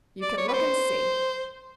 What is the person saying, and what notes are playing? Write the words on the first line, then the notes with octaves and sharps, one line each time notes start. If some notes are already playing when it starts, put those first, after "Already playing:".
"You can look and see."
D5
C#5
B4
C5